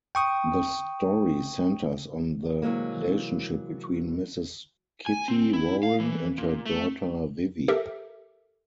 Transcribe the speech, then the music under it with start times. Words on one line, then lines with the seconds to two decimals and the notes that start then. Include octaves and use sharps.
The story centres on the relationship between Mrs Kitty Warren and her daughter, Vivie.
0.15 G5 C#6 D#6
2.62 C3 E3 F#3 G#3 A#3
5.06 G#5
5.28 C4
5.53 E4
5.83 F5
6.00 E3
6.38 A#2
6.66 A3
7.68 G4 A4 A#4 E5